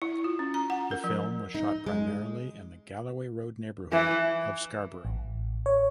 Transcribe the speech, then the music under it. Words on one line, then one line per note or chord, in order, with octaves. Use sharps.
The film was shot primarily in the Galloway Road neighbourhood of Scarborough.
E4
F4
C#4
A#5
F#5
A#4
F3
D#4
G#3
E3
A1
C#5